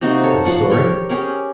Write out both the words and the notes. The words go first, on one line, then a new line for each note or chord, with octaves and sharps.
For the story?
C3 A#3 D#4 F#4
A4 C#5
F3 F#4 F#5 C6
G4 A#4 C#5 G5
C#4 G4 G#4 A#4